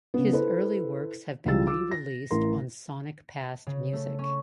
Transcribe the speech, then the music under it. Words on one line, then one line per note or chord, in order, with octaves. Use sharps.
His early works have been re-released on Sonic Past Music.
C#3 B3
E4 A4 B4 C5
C#2 E3 F3 G3 E6 A6
F4 D6 E6
A#6
A1 E3 A#4 C6
C#3
A3
C#4